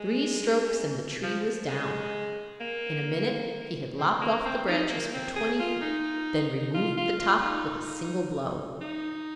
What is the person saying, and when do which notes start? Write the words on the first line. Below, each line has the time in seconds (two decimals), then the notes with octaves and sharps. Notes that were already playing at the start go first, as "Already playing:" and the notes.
Three strokes, and the tree was down. In a minute he had lopped off the branches for twenty feet, then removed the top with a single blow.
Already playing: G#3
1.23 F3
1.68 G#3
2.60 A#3
3.98 C4
4.21 A#3
4.45 C4
4.68 D#4
4.90 A#3
5.13 C4
5.36 G#4
5.59 F4
5.82 D#4
6.74 F4
6.97 F4
7.20 F4
7.43 D#4
8.81 D#4